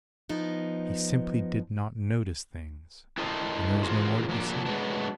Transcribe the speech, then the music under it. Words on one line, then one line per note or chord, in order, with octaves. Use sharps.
He simply did not notice things, and there was no more to be said.
F3 B3 D#4
E4 G4 A4 A#4 C5 D#5
E3 F4 F#4 G#4 A#4 C5
F3 F#3 A3 A#3 D4
F#3 G#3 A3 B3 D4